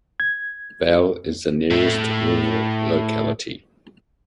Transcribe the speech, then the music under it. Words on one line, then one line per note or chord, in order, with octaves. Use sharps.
Val is the nearest rural locality.
G#6
A2 A3